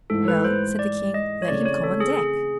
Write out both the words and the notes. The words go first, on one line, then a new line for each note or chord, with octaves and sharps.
"Well," said the King, "let him come on deck."
G#2 E3 A3 A4
B4
C5
D5
D#5
C#5
C#3 E3 A3 C4 D5
C#5
A4
G#4
G#4